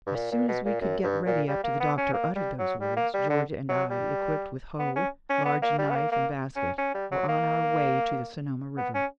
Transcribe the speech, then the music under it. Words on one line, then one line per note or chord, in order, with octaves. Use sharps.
As soon as we could get ready after the doctor uttered those words, Georgia and I, equipped with hoe, large knife, and basket were on our way to the Sonoma River.
G2
A#2
A#2
B2
A#2
F#2
G2
A#2
G3
A#3
B3
C#4
A#3
G3
F#3
G3
A#3
G3
D3
F#3
G3
B3
C#4
C#4
B3
A#3
G3
B3
A#3
A#3
C#4
C#4
G3
F#3
A#3
B3
C#4